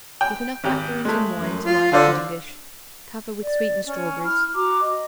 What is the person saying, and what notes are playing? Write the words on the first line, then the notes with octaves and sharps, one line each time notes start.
Dip enough macaroons in wine to line the pudding-dish; cover with sweetened strawberries.
G5
G#1 G4
G#3 A3
F#2
F4
D3 F4 C5 D5
D5
C#4
E4 F6
F#4 A#5 D6
D#5